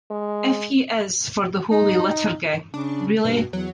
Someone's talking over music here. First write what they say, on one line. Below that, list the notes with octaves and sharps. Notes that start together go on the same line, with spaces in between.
If he is for the Holy Liturgy, really.
G#3
D#4
C#3 D4
G2 B2
E2 F#3